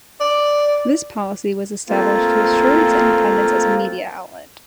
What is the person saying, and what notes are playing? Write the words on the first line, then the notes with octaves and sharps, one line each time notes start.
This policy was established to assure its independence as a media outlet.
D5
A3 A#3 C4 F4